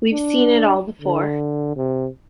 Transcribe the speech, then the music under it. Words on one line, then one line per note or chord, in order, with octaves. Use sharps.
We've seen it all before.
D4
D3
C3